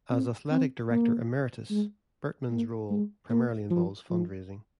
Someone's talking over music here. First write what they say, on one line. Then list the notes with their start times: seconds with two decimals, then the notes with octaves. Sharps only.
As athletic director emeritus, Bertman's role primarily involves fundraising.
0.11 C4
0.51 C4
0.91 A#3
1.71 G#3
2.51 A#3
2.91 G#3
3.30 A#3
3.71 F3
4.10 F3